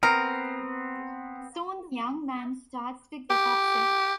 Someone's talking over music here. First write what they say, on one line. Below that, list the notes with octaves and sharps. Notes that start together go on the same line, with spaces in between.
Soon the young man starts to get upset.
B3 C4 A#4
G4